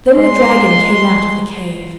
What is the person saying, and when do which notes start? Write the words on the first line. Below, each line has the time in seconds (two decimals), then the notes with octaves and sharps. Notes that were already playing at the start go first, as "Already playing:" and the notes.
Then the dragon came out of the cave.
0.16 G#3 C6